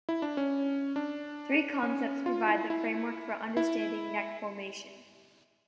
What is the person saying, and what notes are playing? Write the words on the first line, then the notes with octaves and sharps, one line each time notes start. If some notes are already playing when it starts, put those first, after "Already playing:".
Three concepts provide the framework for understanding neck formation.
E4
D4
C#4
D4
C#4
F4
E4
E4
E4